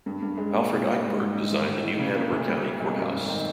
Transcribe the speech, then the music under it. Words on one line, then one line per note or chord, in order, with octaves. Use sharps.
Alfred Eichberg designed the New Hanover County Courthouse.
G2
G2
G#3
A#2
C2
G3
G#2
G#2
G#2
E3
A2
A2
C#3
A#3
D2
G3
G3
B1
F#2
G#1
D#3